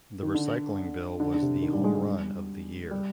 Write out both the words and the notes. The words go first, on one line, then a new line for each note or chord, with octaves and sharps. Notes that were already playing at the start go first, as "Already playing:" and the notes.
The recycling bill was the home run of the year.
D#3
D3
D3
D3
C3
D#3
G3
G#3
G#3
G3
G3